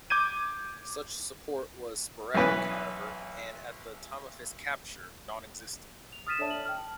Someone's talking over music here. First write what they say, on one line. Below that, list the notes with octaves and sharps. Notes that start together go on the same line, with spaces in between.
Such support was sporadic, however, and, at the time of his capture, non-existent.
D6 G6 G#6 D#7
B1 E3 C#4 B4 B5
F7
D#6 F6 A6 B6 D#7 E7
D4 A4 C#5 D5 E5 A5
F#7
G5 F6
A5